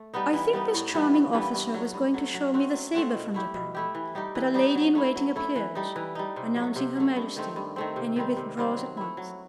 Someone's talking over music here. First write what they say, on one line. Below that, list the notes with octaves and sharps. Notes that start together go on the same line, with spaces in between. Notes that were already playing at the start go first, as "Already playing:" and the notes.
I think this charming officer was going to show me the sabre from Japan, but a lady-in-waiting appears, announcing Her Majesty, and he withdraws at once.
Already playing: A3
G3 B3 D#4
E3
G3 B3 D#4
A2
E3 G3 B3
A2
E3 G3 B3
G2
F#3 A3
G2
F#3 A3
F#3
A3 C4 F#4
F#3
A3 C4 F#4
B2
A3 E4 G4
B2
A3 E4 G4
E3
G3 D#4 G4
E3
G3 D#4 G4
F#3
A3 E4
F#3
A3 E4
E3
G3 D#4
E3
G3 D#4
C3
F#3 A3
C3
F#3 A3
G2
D#3 A3 C4
G2
D#3 A3 C4
C3
D#3 G3 C4
C3
D#3 G3 C4
F#3
A3 E4
F#3